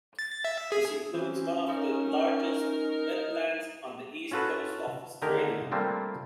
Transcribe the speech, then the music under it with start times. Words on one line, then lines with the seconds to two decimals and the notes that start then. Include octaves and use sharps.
This includes one of the largest wetlands on the east coast of Australia.
0.19 A6
0.44 E5
0.72 G#4
1.14 E3 C4 C#4
1.68 D#4 A#4
4.31 C#4 F4 F#4 A4 B4
5.22 D3 D#3 A3 G4 G#4 A#4
5.71 G3 A3 A#3 C4 D4 F4